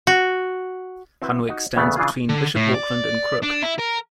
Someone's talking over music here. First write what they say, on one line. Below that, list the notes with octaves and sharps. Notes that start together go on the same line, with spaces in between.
Hunwick stands between Bishop Auckland and Crook.
F#4
C4 E4 F#4 B4 C5
D#4 F#4
E2 C#3 A3 B3
C#3 E3 D4 F4 G#4
D3
A2
D5
D4
E4
A#4